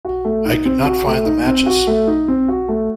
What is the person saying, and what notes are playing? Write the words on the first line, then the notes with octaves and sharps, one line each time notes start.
I could not find the matches.
F#4
A3
D#4
C4
F#4
A3
D#4
C4
F#4
A3
D#4
C4
F#4
A3